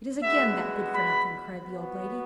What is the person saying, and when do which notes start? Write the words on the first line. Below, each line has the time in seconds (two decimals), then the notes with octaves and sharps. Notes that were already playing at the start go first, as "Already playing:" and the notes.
"It is again that good-for-nothing!" cried the old lady.
0.23 G#3 B3 F#4 E5
0.94 B5
1.64 B3 F#4